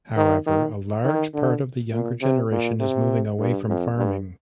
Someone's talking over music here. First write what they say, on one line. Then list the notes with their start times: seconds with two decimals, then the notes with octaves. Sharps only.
However, a large part of the younger generation is moving away from farming.
0.16 D#3
0.46 D#3
1.04 D#3
1.34 D3
1.92 A#2
2.21 C3
2.51 A#2
2.80 C3
3.39 G2
3.68 F2
3.97 G2